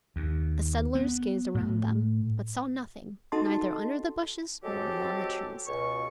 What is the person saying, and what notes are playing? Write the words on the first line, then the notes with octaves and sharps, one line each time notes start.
The settlers gazed around them, but saw nothing, neither under the bushes nor among the trees.
D#2
B3
A2
D#4 F#4 A4 D#5 A5 C6
F#3 G#3 C4 F#4 G4 A4
C#2 B2 C#6